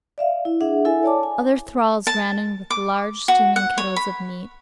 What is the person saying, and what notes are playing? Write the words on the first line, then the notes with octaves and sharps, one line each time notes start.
Other thralls ran in with large steaming kettles of meat.
D5 E5 F5
E4
D4 G#4 E5 F#5
E4 A4 E5 G#5
C#5 D5 A5 D6
G#5
A5
D6
F#4
F#5
C#5
B5